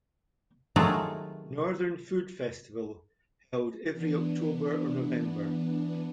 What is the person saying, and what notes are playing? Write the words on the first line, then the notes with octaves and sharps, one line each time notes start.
Northern Food Festival held every October or November.
C3 D#3 F#3 A3 F4 G#4
E3 B3 D4